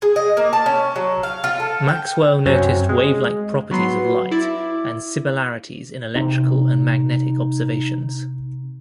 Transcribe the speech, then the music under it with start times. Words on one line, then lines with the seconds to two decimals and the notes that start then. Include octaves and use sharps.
Maxwell noticed wavelike properties of light and similarities in electrical and magnetic observations.
0.02 G#4
0.16 D#5
0.37 A#3
0.53 A5
0.66 C#4
0.96 F#3
1.23 F5
1.44 F4
1.60 A4
1.88 G5
2.45 F#2 C3 C4 C#4 F#4
2.89 G#3
3.71 F#3 B3 C6
4.31 E4 D5
6.16 C3 D#4